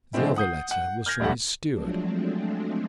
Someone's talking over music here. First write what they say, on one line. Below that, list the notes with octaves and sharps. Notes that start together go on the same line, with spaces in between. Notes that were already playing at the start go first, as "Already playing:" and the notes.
The other letter was from his steward.
D3 F3 G#3 A3 C4 E4
F#5 D#6 G6 C7
F#5
F6 G6 G#6 A#6
D#1 A#1 G3 A3 F#5
F3 F#3 G#3 A3 C4 D4